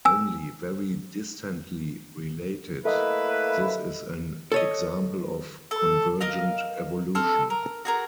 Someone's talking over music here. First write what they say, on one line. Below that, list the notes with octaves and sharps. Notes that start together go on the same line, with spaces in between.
Only very distantly related, this is an example of convergent evolution.
G#5 E6
A3 A#3 E4 A4 B4 D#5
A4 C#5 D#5
A4
A#4 D#5 F5
C4 A4 F6
A#4
F#4 G#4 A#4